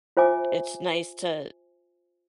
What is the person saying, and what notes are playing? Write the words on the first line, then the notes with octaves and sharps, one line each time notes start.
It's nice to
F4 C5 E5 G#5 D6